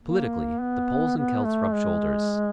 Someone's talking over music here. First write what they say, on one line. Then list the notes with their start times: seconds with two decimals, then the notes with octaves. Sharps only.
Politically the Poles and Celts rub shoulders.
0.03 A#3
0.61 B3
1.17 B3
1.45 A3
1.74 G#3